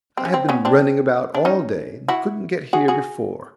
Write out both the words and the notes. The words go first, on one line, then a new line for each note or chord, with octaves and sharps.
I have been running about all day, and couldn't get here before.
C4
C#4
C4
B3 C#4
C4 D4
D4
C#4 D#4
E4 F#4
F#4 G#4
F#4 G#4